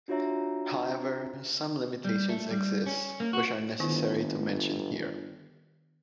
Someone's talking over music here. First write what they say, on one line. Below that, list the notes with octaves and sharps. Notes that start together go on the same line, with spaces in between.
However, some limitations exist which are necessary to mention here.
D4 F4 F#4 C#5 E5 A#5
G3
A3
G3
C#4
A#3
F#4
G1 D#3 B3 E4